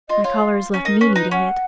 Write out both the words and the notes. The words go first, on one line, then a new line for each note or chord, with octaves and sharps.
My caller has left me needing it.
F4 D#5
F4 C#5
C#4
D#4 A#4
C#4
B4
D#4
C#4 F#5